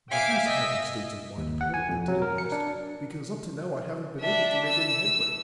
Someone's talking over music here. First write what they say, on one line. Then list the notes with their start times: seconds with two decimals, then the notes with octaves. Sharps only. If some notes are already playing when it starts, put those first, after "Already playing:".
But these happy states of mind apparently didn't last, because up to now I haven't been able to make any headway.
0.11 E5 F5 G5 G#5 D6
0.47 D#5 E5 E6
1.38 D#2
1.61 F#5
1.74 G#5
1.89 F2
2.08 F#3
2.22 A#4
2.38 C#7
2.52 D4
4.20 D4 E5
4.65 E6